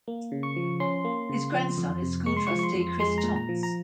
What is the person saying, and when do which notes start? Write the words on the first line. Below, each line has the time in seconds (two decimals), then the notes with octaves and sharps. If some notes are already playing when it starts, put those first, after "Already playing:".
His grandson is school trustee Chris Tonks.
0.08 A#3
0.32 C#3
0.43 C#6
0.56 F3
0.80 C#4 C6
1.05 A#3
1.29 C#3
1.53 F3
1.78 F2
2.03 C3
2.26 G#3 C#6
2.37 C6
2.47 C#6
2.51 F3
2.59 C#6
2.63 C6
2.75 F2
3.00 G#3 C6
3.18 A#5
3.24 A#2
3.36 A#5
3.49 F3
3.63 A#5